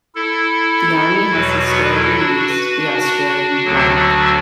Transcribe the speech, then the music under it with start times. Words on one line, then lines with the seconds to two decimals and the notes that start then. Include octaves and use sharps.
The Army has historically used the Australian Flag.
0.15 E4 A4
1.31 E2 B2 F#3 F#4 B4
1.60 F#4 B4
1.90 E4 A4
2.19 D4 F#4
2.47 F#4 B4
2.78 D4 F#4
3.65 D2 D3 F#3